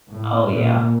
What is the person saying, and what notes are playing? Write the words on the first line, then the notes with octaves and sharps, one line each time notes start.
Oh yeah.
A2
A#2